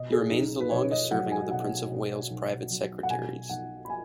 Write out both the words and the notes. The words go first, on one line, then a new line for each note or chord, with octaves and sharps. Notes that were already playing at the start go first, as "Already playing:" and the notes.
He remains the longest serving of the Prince of Wales Private Secretaries.
Already playing: B2 D#5
G#4
B1 D#4
B4
B1 C#5
D#5
F#3 F#5
G#5
B2 F#5
B1
B1
F#3
F#5
B2 G#5
B1 F#5
B5
G#5